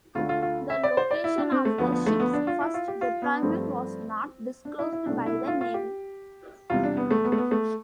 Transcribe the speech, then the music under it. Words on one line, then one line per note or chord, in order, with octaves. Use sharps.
The location of the ship's first deployment was not disclosed by the Navy.
D2 D3 A3 F4
F4
F4
E5
D5
C5
D5
E4
D4
C4
A3
D2 D3 F3 B3
B3
A3
B3
D4
F4
E4
F4
G4
F4
B3
G2 F3 A3 C4
D4
E4
E4
C2 B2 A3 D4
E4
F4
F4
G4
E2 C3 G3 F4
D4
B3
A3
B3
A3
B3
A3